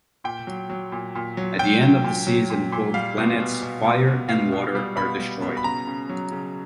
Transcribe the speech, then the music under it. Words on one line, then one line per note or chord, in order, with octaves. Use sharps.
At the end of the season both planets, Fire and Water, are destroyed.
A#2 G5
F#3
F#3
A#2
A#2
F#3
F#3 G5
F#3
A#2
F#3
A#2
A#2
G3 F5
B2
B2
B2
B2
B2
B2 F5
B2
G3
B2 B5
G3
B2
B5
C#3 A#5
C#3
F#3
C#3